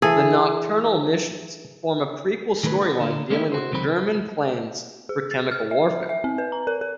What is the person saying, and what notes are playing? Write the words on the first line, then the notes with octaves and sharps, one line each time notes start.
"The Nocturnal Missions" form a prequel storyline dealing with German plans for chemical warfare.
E3 G#4 A4
D#3 A3 G#4 A#4 B4
D#4 F#4
D3 A#3
G#3 A#3 C#4 D#4 E4
F#4 C5
C#2 C3 D#3 F#3 C4 B5
G#4
A6
F6
E5
E5
E5
C4
B4
A#5
A#4
A#4